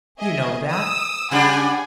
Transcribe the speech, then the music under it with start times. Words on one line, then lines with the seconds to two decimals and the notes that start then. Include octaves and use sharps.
You know that.
0.18 G#4 D#5 E5
0.69 D#6 E6
1.31 C#3 G3 D4 G#4 F#5 G#5